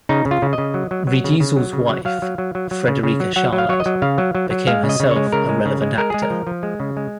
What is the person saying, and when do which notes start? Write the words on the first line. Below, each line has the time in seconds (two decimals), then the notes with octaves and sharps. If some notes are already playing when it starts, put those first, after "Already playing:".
Riedesel's wife, Frederika Charlotte, became herself a relevant actor.
0.09 C#3 D#4
0.26 C#3
0.31 F4
0.42 C#3
0.53 D#5
0.58 C#3
0.74 F#3
0.91 F#3
1.07 F#3
1.24 C#3
1.40 C#3
1.57 F#3
1.73 C#3
1.89 F#3
2.05 F#3 F5
2.22 F#3
2.38 F#3
2.55 F#3
2.71 F#3
2.88 C#3
3.03 C#3
3.20 F#3
3.36 F#3 F#5
3.53 F#3
3.58 F5
3.69 F#3 C#5
3.80 D#5
3.86 F#3
4.02 C#3 F5
4.18 F#3
4.35 F#3
4.50 F#3
4.67 G#3 F5
4.84 C#3
4.89 D#5
5.00 C#3
5.11 C#5
5.16 G#3
5.32 C#3 A#4
5.49 G#3
5.65 C#3
5.82 G#3
5.98 G#3 A#4
6.10 G#3 G#4
6.22 A#4
6.30 F3
6.47 F3
6.63 G#3
6.80 C#3
6.97 G#3